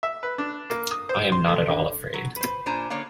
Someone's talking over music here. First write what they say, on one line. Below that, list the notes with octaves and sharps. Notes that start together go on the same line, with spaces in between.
I am not at all afraid.
E5
B4
D4
A#3
D#6
C5
C6
A3
D3
F#3
B4 C5
A#2 D4 C5 G#5 A#5
D3 A#3 C#5 D5 F5